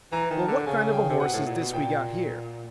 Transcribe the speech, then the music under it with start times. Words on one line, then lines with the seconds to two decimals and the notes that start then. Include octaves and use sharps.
Well, what kind of a horse is this we got here?
0.12 E3 A#5
0.31 D#3
0.39 A5
0.48 D3
0.66 C#3 G#5
0.93 G5
1.10 C3
1.20 B2 F#5
1.33 A2
1.46 A#2
1.60 B2
1.73 A#2 G5